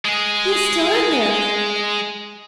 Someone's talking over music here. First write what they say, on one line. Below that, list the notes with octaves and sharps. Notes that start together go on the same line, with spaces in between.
'He is still in there!
G#3 G#4